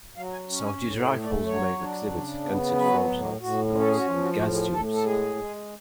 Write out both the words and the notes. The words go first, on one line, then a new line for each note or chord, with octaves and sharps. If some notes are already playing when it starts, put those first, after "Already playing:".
Some of these rifles may exhibit canted front sight blocks and gas tubes.
F#3 F5
G#5
C#4
G#5
A2 G#5
F5
A3
D5
F#3 C#5
D4
C#3
B3
F#3 B4
A2
A2 F#4
C#4
A4
G#4
F#4
F3 F4
F#4
A2 F#4
G#4
A2 A4
A4
G#3 G#4
G#3